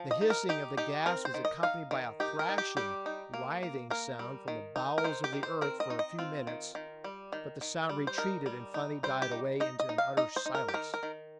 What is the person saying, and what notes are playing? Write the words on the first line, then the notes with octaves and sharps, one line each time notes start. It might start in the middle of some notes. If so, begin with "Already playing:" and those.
The hissing of the gas was accompanied by a thrashing, writhing sound from the bowels of the earth for a few minutes, but the sound retreated and finally died away into an utter silence.
Already playing: F3
D#5
D#4
A#4
D#4 G4
D#4 G4
C4 A#4
C5
D#3
D#5
D#4 F5
D#3
D#4 G4
A#4
D#4
G4
G3 G4
D#4
A#3
A#3
A#3 A#4
G3
D#3
D#4
A#4
D#3 C5
G4
D#3
C5
C4 A#4
D#5
D#4
D#5
C4 F4
D#3
D#3
G3
D#3
D#3
G3
C5
D#4 A#4
G3
D#4
G3 C5
G4
D#4
D#4 D#5
D#5
D#4
F5
D#4 D#5
C5
D#4
A#4
G4
D#3 A#4
A#4
D#3